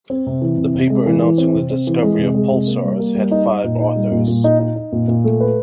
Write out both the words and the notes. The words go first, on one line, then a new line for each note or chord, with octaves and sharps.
The paper announcing the discovery of pulsars had five authors.
C4
C3
E3
C3
C3
G#3
E3
E3
C4
C3
C4
E3
G#3
C3
G#3
C3
A#3
G3
A#3
G3
D#4
D#4
A#2
D#4
G3
A#2
A#2
D#4
D#4
D#4
A#2
A#2
A3
B4